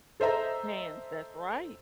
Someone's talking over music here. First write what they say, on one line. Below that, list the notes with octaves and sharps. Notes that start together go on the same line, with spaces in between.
Hands, that's right.
A4 C5 D#5 E5 A#5